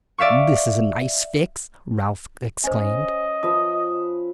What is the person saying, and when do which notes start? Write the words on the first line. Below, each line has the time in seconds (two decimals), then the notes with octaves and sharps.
"This is a nice fix," Ralph exclaimed.
0.18 D5 E5 F5 C#6
2.64 C#4 C5 D#5 G#5
3.43 F3 B4 E5 D#6